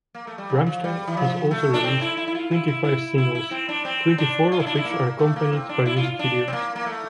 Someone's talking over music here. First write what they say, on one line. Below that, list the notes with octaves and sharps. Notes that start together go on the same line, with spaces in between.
Rammstein has also released twenty-five singles, twenty-four of which are accompanied by music videos.
A#3
A3
G3
F3
F3
G3
E3
F3
A3
D4
C4
E4
E4
E4
F4
E4
E4
E4
E4
E4
C4
D4
C4
D4
F4
E4
D4
E4
A#3
A3
A#3
C4
D4
E4
F4
D4
C4
A#3
A#3
A3